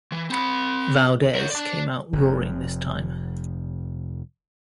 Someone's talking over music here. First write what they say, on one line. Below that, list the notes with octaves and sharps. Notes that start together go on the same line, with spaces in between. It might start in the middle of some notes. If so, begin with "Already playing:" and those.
Valdez came out roaring this time.
E3
C4 B5
A#4 C#5
D5 A5
F1 F2